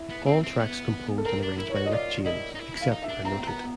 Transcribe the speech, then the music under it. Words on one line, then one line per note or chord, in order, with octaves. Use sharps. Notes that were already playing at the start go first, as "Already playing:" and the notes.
All tracks composed and arranged by Rick James, except where noted.
Already playing: E4
B3
C4
C4
B3
A4
C4 A#4
D4
E4
C#5
F#4
D#5
F4 D5
E4 D#5
D#4
E4
E4
F5
D#4
E5
D4
C4 A#5
C4
B3 A#5